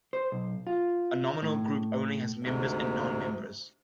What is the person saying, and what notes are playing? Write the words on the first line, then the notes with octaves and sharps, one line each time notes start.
A nominal group only has members and non-members.
C5
B1
F4
A2
D2 G#2 C3